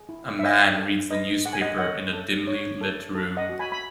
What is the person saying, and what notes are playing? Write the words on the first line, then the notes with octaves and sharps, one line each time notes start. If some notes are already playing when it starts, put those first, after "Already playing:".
A man reads the newspaper in a dimly lit room.
Already playing: G#4
E4
E5
C#5 D#5
A4
B4 D#5
G#4 F#5
G#5
D#5 F#5
C#5 D#5 F#5
A4
C#5
A4
A4
D#5 F#5
F#4
G#5 B5
B5